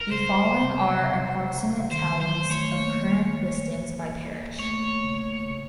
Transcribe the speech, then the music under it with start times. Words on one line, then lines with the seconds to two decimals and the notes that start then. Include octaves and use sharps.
The following are approximate tallies of current listings by parish.
0.01 A#4
0.11 C#3 C5
0.56 C3
1.00 C#3
1.91 D#3 C5
2.20 F#3 C5
2.50 A3 C#5
2.80 A#3
4.59 A3 C#5
5.05 C#3
5.50 C#3